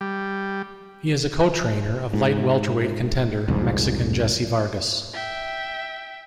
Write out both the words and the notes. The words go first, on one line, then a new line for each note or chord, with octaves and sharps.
He is a co-trainer of light welterweight contender, Mexican Jesse Vargas.
G3
G#2
C2 F2 G#2
E5 G5